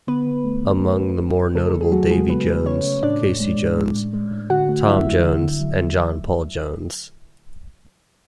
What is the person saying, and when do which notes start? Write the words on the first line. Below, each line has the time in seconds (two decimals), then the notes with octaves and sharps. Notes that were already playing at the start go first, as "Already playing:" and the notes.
Among the more notable, Davy Jones, Casey Jones, Tom Jones, and John Paul Jones.
0.07 D3 B3 B4
0.26 D3
0.44 A3
0.63 D3
0.82 A3
1.00 D3
1.19 D3
1.37 D3
1.55 C#3 A3 A4
1.70 C#3 A4
1.81 G#4
1.92 F#3 A3 F#4
2.11 C#3 G#3 G#4
2.29 C#3 B3 B4
2.48 A3
2.66 C#3 C#4 C#5
2.84 C#3
3.03 A2 D4 D5
3.21 A2
3.40 G#3
3.58 A2
3.77 G#3
3.95 A2
4.13 G#3
4.31 A2
4.50 D3 F#4 F#5
4.69 A3
4.87 F#3 E4 E5
5.06 A3
5.24 D3
5.42 D3
5.60 F#3
5.79 F#3